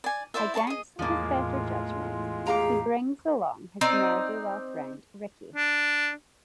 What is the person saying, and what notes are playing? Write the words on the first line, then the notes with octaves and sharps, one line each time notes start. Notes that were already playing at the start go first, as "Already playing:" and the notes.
Against his better judgment, he brings along his ne'er-do-well friend Ricky.
D5 G#5
E4 C5 D5 E5
D5 A5 A#5 C#6
G#4 D#5
E2 A2 F3 G#3 A#3 F4
G4 G#4 F5 A#5
C4 D#4 D5
D4